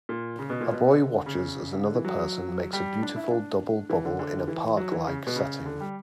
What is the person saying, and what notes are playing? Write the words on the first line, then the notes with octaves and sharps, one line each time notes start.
A boy watches as another person makes a beautiful double bubble in a parklike setting.
A#2
C#3
B2
A#2
B2
D3
C#3
D3
E3
F#3
G3
D4
E4
D4
E3
D3
D3
E3
F#3
E3
C#3
B2
C#3
D3
G3